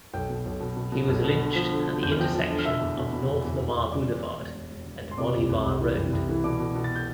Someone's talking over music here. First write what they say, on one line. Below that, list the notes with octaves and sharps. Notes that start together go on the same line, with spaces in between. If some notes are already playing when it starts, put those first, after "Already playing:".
He was lynched at the intersection of North Lamar Boulevard and Molly Barr Road.
B1 G5 G6
B2
B1
B2
B2
B2
B1
B2
D3
F3
D3
D3
E2 G6
F6
F3 G5 G6
F3
D3
F6
B2 E5 E6
E2
B2
B2
E2
E2
E2
E2
E1 D5 D6
E1
E1
E1
E1
E1
E1
E1
C6
C3 D5 D6
C2
C2
C2
E3
C2
C2
E3
B2 D5 D6
B2
B2
A6
G6